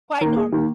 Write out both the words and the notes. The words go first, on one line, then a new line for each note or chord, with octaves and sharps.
Quite normal.
D#3 A#3 A#4
G#4
D#3 A#3 G4